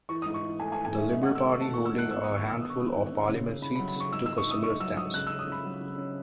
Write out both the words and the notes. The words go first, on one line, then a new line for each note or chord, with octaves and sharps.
The Liberal Party, holding a handful of parliament seats, took a similar stance.
E3 C#6
D#6
G#2
C#6
E3
A3 G#5
G#5
E3
G#5
A3 E5
G#2 E5
F#5
A3
E6
D#3 C#6
A3 A5
C#6
D#3
E6
G#2 F#6
B3 E6
D#6
D#3
C#6
D#3 E6
B3 D#6
C#6
G#3 D#6
D#3
C#4
C#3
C#4
C#3 B5
B5
F#3
B5
C#3 C#6
G#2 E6
E6
G#2
C#6
D#4 D#6
D#4 C#6
F#3 E6
G#2 D#6
C#3 F#6
E6
C#4
D#6
C#3 B5
F#3
C#3
C#4